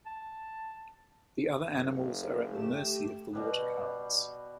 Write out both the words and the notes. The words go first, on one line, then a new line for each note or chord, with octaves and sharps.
The other animals are at the mercy of the water currents.
A5
F#1
A3 G4 E7
B2 G3 B3